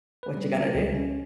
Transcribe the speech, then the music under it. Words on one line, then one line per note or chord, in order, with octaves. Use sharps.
What you gonna do?
B4
G3
F#3
C#2
C#4